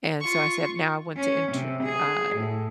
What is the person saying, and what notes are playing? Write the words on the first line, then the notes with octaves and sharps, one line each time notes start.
and so I said, “Now I want to enter “uh,
F4 C#6
C#4
C3
G#4
A2